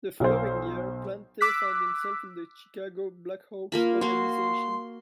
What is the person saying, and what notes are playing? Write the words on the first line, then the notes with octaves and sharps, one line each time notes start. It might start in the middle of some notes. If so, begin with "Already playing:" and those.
The following year Plante found himself in the Chicago Blackhawks organization.
B1 C5
D6 E6 F#6 B6
A#3 F4 A#4 B5
A#3 F#4 C6